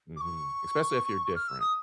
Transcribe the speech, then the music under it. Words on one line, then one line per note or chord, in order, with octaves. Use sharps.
Mhm. Especially if you're different.
D6
C#6
F6
E6
D#6